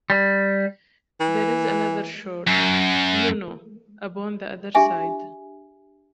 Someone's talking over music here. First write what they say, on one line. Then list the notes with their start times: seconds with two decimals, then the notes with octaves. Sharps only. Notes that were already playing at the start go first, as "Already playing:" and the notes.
There is another shore, you know, upon the other side.
0.10 G3
1.20 E3
2.47 F#2
4.75 D4 G4 G#4 E5 G#5